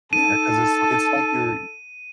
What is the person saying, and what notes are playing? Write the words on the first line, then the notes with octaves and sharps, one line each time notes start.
Yeah, 'cause it's li it's like you're
D#4 A4 A5 D#7